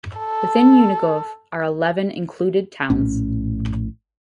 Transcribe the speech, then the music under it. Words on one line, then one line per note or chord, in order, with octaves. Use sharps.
Within Unigov are eleven "included towns".
A4
A#1 A2 C#4